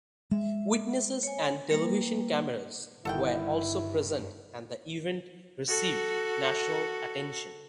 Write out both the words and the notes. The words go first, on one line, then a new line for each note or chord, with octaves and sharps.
Witnesses and television cameras were also present and the event received national attention.
G#3 E5
C#5 G#5
G3 A#3 B4
G1 G2 D#3 E4 A4 F#5 G5
F#4 A4